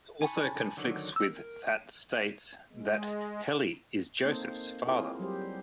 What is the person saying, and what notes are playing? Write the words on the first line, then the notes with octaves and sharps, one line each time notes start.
This also conflicts with that states that Heli is Joseph's father.
G#5 A5 B5 C#6
D3 D#3 F#3
D#5 E6
A#4
G#3
A#3 C4 D#4 A4 C5 D#5
C4 E4 F4 G#4 A#4
F#3 G3 G4 C5